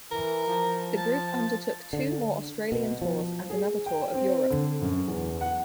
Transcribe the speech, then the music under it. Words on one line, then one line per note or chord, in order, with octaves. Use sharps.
The group undertook two more Australian tours and another tour of Europe.
E3 A#4
F3
A5
D3
B2
F3
G#4
G5
C4
D3
F#2
E2
F#5